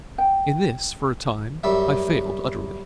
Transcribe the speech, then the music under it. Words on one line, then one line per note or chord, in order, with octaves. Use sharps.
In this, for a time, I failed utterly.
G5
F#2 G3 E5